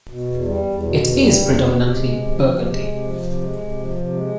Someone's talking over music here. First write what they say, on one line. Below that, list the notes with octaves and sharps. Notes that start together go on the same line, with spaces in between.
It is predominantly burgundy.
B2
E2
G3
E2
B2
E2
G3
E2
B2
C3
G#3
C3
F3
C3
G#3
C3
F3
C3
G#3
C3
F3
C3
G#3